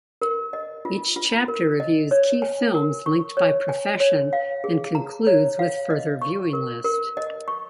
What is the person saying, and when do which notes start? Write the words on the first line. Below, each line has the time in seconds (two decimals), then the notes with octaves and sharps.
Each chapter reviews key films linked by profession and concludes with further viewing list.
0.22 A#4
0.53 D#5
0.85 F4
1.16 F4
1.48 A#4
1.80 D#5
2.11 C#5
2.42 G#5
2.74 A#4
3.06 C#6
3.37 C#5
3.69 G#5
4.00 C#5
4.33 F5
4.64 G#4
4.95 A#5
5.27 C#5
5.59 F5
5.90 D#5
6.22 C#6
6.53 A#4
6.84 A#4
7.17 D#5
7.48 C#6